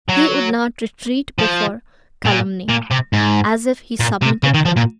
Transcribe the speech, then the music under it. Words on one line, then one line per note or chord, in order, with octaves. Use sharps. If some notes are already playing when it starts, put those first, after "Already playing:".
He would not retreat before calumny, as if he submitted to it.
F#3
F3
A#2
A#2
C3
G#2
A#2
C3
C#3
D#3
F3
A#2